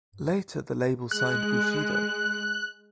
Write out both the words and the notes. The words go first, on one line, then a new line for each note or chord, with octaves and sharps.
Later, the label also signed Bushido.
G#3 F#6